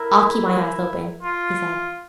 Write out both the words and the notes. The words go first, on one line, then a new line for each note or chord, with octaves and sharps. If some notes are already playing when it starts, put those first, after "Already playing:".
'I'll keep my eyes open,' he said.
Already playing: E4 A#4
F4